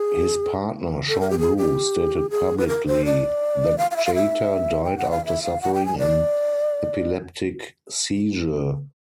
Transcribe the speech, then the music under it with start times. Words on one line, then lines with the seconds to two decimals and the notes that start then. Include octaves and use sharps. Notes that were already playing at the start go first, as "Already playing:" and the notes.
His partner, Sean Blue, stated publicly that Jeter died after suffering an epileptic seizure.
Already playing: G#4
1.08 A4
1.21 A#4
1.30 G4
1.39 G#4
1.57 G4
2.30 G#4
2.58 B4
2.68 A#4
2.87 C5
3.05 D5
3.78 F5
3.91 F5
3.96 E5
4.05 F5
4.15 E5
4.85 G5
4.98 F#5
5.11 F5
5.25 E5
5.43 F5
5.61 F#5
5.74 G5
5.86 G#5
5.98 D5